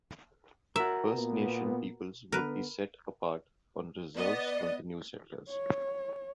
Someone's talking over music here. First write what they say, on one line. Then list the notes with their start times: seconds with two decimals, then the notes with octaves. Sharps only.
First Nation peoples would be set apart on reserves from the new settlers.
0.76 F#4 A#4 E5
1.15 A#2 B3
2.32 D3 B3 A#4 B4
4.16 B3 D5 D#5
5.50 C#5